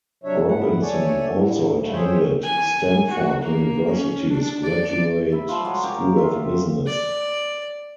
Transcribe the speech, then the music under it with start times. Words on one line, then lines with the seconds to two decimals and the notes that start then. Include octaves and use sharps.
Robinson also attended Stanford University's Graduate School of Business.
0.24 C3 F#3 D4 C#5 E5
0.48 G#2 E4 F#5
0.81 A3 A4 C#5 D5 G#5
1.31 A2 D3
1.79 A#2 D3 G3 A3
1.92 G#4 C5 C#5 E5 G5
2.44 G#5
3.09 F#4
3.43 A#3
3.94 C#4
4.31 D4
4.64 D5
5.32 E5 B5
5.49 F3 G3 F4
5.65 G#3 F#4 C#5 A#5
5.84 F4 G4 G#4 A#4
6.16 F4 E5
6.86 D5